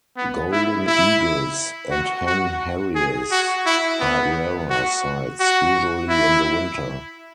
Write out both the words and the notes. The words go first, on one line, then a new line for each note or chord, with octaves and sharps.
Golden eagles and hen harriers are rarer sights, usually in the winter.
B3
E4
E4
F#4
F#4
G#4
F#4
E4
B3
F#4
F#4
E4